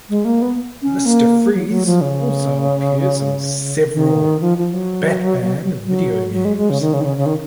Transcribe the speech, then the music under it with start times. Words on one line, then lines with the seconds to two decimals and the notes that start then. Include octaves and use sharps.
Mister Freeze also appears in several "Batman" video games.
0.10 G#3
0.25 A#3
0.42 B3
0.82 C#4
1.06 A#3
1.54 F#3
1.69 F#3
1.86 F3
2.01 C#3
3.94 D#3
4.41 F3
4.58 F3
4.73 F#3
5.86 F#3
6.33 F#3
6.45 G#3
6.57 G#3
6.70 C#3
6.81 D#3
6.94 C#3
7.01 D#3
7.05 C#3
7.17 C#3
7.26 D#3